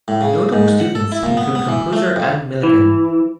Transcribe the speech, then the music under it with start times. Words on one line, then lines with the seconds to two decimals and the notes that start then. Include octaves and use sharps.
Notable students include composer Ann Millikan.
0.08 A2
0.21 C#3
0.53 G#2
0.80 F#5
0.95 A4
1.12 E4
1.24 A#2
1.37 B3
1.55 B3
1.69 E3
1.93 A3
2.16 F2
2.63 E3